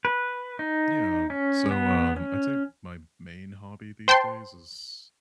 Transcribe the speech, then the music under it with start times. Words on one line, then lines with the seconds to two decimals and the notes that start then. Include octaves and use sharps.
Yeah, so, um, I'd say my main hobby these days is
0.05 B4
0.59 D#4
1.30 C#4
1.71 B3
2.17 C#4
4.08 C5 G5 A5 C6